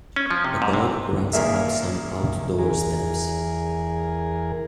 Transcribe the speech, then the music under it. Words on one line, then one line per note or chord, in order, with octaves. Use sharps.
A dog runs up some outdoor steps.
C#4
F3
C3
G#2
C3
D#2 A#2 G#4 A#4 E5
E2 G#4 A#4